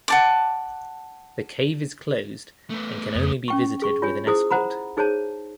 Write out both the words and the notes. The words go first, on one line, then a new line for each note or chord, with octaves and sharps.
The cave is closed and can only be visited with an escort.
F#5 A5 D6
A3 B3
F2 D#6
C#4 G5 C#6
G#4 C#6
F4 C#5 G#5
E4 G#4 C5 D#6
C5 F#5 A#5 B5
D#4 G#4 C5 C#5 A5